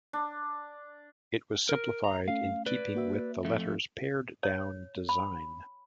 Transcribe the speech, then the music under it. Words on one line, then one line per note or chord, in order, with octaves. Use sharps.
It was simplified in keeping with the letter's pared-down design.
D4
A#4
A#5
A3 C#4 F5
B4 D5
A#3 F#4 E5
F2 A3
C#5
B5